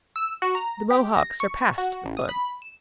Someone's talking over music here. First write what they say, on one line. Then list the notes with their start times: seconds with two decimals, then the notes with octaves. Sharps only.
The Mohawk surpassed the Fun.
0.16 E6
0.42 F#4
0.55 A#5
0.91 G4
1.16 A#6
1.40 C#6
1.78 F#4
2.06 A1
2.17 D#6
2.29 B5
2.62 E7